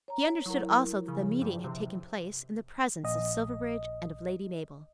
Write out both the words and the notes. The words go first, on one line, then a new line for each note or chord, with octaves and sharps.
He understood also that the meeting had taken place in the presence of Silverbridge and of Lady Mabel.
C#5 A#5
F#3 E4 A#4
E4 A#4
C#3 F3
G2
C3
A#1 D#5